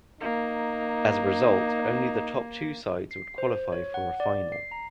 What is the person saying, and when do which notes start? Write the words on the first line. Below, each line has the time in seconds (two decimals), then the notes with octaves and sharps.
As a result only the top two sides would qualify for a final.
0.21 A#3 D#4
3.11 C7
3.38 C5
3.72 C#5
3.94 F#5
4.20 D5
4.52 C7
4.71 A#5